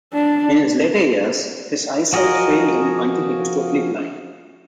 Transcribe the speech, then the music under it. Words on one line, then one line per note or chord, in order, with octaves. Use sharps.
In his later years his eyesight failed him until he was totally blind.
D4
F3 F#4 G#4 A#4 D#5